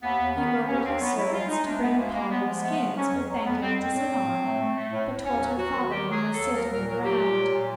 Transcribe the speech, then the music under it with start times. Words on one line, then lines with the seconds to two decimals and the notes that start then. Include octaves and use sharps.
He ordered his servants to bring a pile of skins for Thakane to sit on, but told her father he must sit on the ground.
0.02 D#2 B3
0.19 D#2
0.35 D#3 B3
0.51 D#3
0.67 D#2 C#4
0.84 D#2 C4
1.00 F#3 B3
1.16 F#3 E4
1.33 G#3 F4
1.49 G#3 D#4
1.66 D2 D4
1.82 D2 B3
1.98 G#3 A#3
2.14 G#3 A#3
2.31 G#3 B3
2.46 F3 B3
2.63 A3 B3
2.79 C#3
2.96 F#3 C#4
3.12 F2
3.29 F#3
3.44 F2 B3
3.61 F2 C4
3.77 F2 C4
3.93 A2
4.10 F#3
4.26 A2
4.43 A3
4.59 A3
4.76 A3
4.92 A2
5.08 A2
5.25 D#2 C#4
5.41 F#3
5.57 F#3 F#4
5.74 D#3
5.90 D#3 G4
6.06 F#3
6.11 G#4
6.22 F#3
6.33 A4
6.39 D#2
6.55 F#3 A#4
6.71 A#2 A#4
6.88 F#3 A#4
7.04 A#2 G4
7.20 A#2
7.37 F#3
7.53 A#2